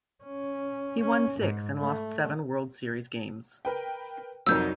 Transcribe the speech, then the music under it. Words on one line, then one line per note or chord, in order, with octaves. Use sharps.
He won six and lost seven World Series games.
C#4
C#4
G#2
A3
A#4 B4 G5
C2 F2 F#3 D#4 A#4 E6 G6